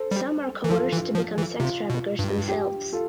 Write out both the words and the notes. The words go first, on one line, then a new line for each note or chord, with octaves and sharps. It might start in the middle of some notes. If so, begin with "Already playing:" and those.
Some are coerced to become sex traffickers themselves.
Already playing: A4 C5
G3
E3
F3 F4 A4
E3
F3
E3
C3 F4
B2
G2
G4
F4 A4